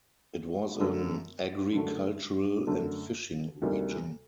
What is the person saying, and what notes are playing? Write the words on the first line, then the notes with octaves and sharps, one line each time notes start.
It was an agricultural and fishing region.
F#2 D3 A3
F#2 D3 A3
F#2 D3 A3
D2 C3 D#3 G3 A#3